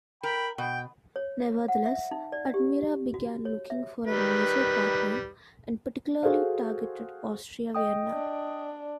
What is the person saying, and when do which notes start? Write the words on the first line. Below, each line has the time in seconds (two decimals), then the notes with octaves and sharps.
Nevertheless, Admira began looking for a merger partner, and particularly targeted Austria Vienna.
0.23 A#4 G5 B5
0.58 B2 G5
1.16 C#5
1.68 F#5
1.86 E5
2.11 D#4
2.32 D5
2.54 G4
3.14 F#4
3.45 C#5
3.70 E5
4.07 D#3 G3 B4
6.23 F#4 G#4 A4 C5 F5
7.75 D#5 G5 D#6
8.09 D4